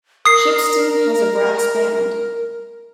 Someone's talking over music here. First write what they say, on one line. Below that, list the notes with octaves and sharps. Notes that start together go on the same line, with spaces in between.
Shipston has a brass band.
A#4 D#6 C7